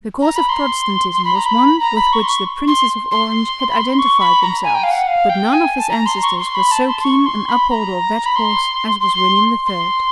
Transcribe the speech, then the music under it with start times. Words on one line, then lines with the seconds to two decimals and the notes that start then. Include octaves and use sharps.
The cause of Protestantism was one with which the Princes of Orange had identified themselves; but none of his ancestors was so keen an upholder of that cause as was William III.
0.22 A#5
0.36 B5
0.49 C6
1.14 C6
1.25 B5
1.35 A#5
1.45 B5
1.80 A#5
1.96 B5
2.13 C#6
2.23 C6
2.29 C#6
2.67 C6
3.11 C6
3.69 B5
3.77 C6
3.99 C#6
4.21 B5
4.42 A#5
4.64 G#5
4.75 G5
4.83 F5
4.91 F#5
5.07 F5
5.29 G5
5.52 G#5
5.78 A5
5.90 A#5
6.06 C6
6.22 C#6
6.39 C6
6.55 B5
6.71 A5
6.88 C6
7.00 C6
7.04 C#6
7.26 C6
7.48 B5
7.70 A#5
8.26 B5
8.36 C6
9.01 C6
9.66 C6